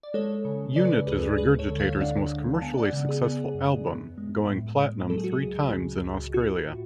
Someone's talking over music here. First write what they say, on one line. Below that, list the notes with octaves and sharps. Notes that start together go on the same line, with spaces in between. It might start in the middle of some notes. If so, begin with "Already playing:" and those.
"Unit" is Regurgitator's most commercially successful album, going platinum three times in Australia.
D5
G#3 A4 C#5
C#3
C#3 B4 D5
D2 G#4 B4
G#3 G#4 B4
A4 C#5
D3
C#5 F5
D4 D5 F#5
G#3
A5
B3 F5 G#5
D5 F#5
C#3
G#4
B3 G#4
G#4
F#2
G#4
B3
G#3
A2
G#3
F#3 A4
G#4
F#4
G#4
C#2
C#3
C#2
F4 F#4
A2